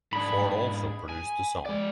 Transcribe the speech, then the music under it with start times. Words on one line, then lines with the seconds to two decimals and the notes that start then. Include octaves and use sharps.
Ford also produced the song.
0.13 G#2 D4 G#4 B5
1.09 G#5
1.66 G#3 D5